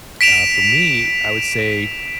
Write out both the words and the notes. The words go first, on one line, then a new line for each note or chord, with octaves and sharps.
Uh, for me, I would say
B6 D7 E7 F7